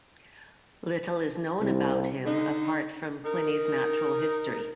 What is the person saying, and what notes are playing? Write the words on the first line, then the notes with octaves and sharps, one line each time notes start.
Little is known about him apart from "Pliny's Natural History".
C2
D3 D#4
D#4 A#4